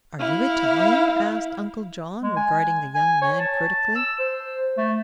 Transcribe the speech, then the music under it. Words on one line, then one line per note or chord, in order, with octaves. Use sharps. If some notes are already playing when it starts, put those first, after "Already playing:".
"Are you Italian?" asked Uncle John, regarding the young man critically.
E4 F5
G#3
G#5
G#5
C#5
A5
E6
C5
A3